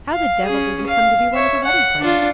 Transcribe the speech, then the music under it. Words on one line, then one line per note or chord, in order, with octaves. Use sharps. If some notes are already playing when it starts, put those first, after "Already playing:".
"How the devil does he come to be one of the wedding party?"
F5
C#4 G#4
F5
C#5 E5
F#5
D4 F4